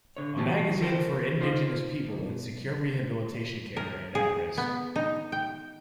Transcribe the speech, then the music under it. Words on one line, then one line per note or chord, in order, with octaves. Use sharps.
A magazine for Indigenous people in secure rehabilitation care and at risk.
D3 C#5
E3 C#4 F#4 G4 A5
A4 A#4 C5 G5
D#4 F4 C5 E5 F5 C6
B1
A#4
G#4
B3
D#4
G5